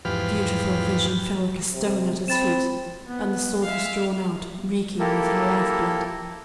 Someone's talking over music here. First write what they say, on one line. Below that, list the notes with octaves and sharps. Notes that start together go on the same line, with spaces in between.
The beautiful vision fell like a stone at his feet, and the sword was drawn out reeking with her life-blood.
E2 G#2 F3 G4 B4 F6
C3
C4 B5 A6 E7
B3
G#3 E5 F5
A#3 E4 G4 A4 A#4